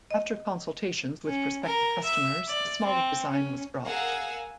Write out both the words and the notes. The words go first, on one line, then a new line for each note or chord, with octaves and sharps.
After consultations with prospective customers, the smaller design was dropped.
D#5
C#4
A#4
E5
D5
C4
C#4
G#4 A#4 F5 F#5 G#5 E6